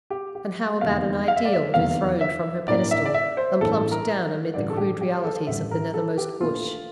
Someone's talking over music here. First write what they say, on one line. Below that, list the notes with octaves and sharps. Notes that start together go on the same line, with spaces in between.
And how about an Ideal dethroned from her pedestal and plumped down amid the crude realities of the nethermost Bush?
G4
G4
F1 E2 D3 G3 A#3 F5
F5
E5
D5
E5
F1 E2 D3 G3 A#3 F5
E5
A1 G2 E3 A#3 D5
E5
D5
E5
C5
A1 G2 E3 A#3 A4
A#4
A1 G2 D3 G3 D5
A4
G4
G4
A4
A1 G2 D3 G3 E5
A#4
A4
G4
A#1 A#2 A3 F4